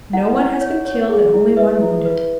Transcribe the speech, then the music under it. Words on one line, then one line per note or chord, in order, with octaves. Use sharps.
No one has been killed and only one wounded.
E4 F#5
E4
C#5
C#5
G#4
E4
B4 E5
E4
B4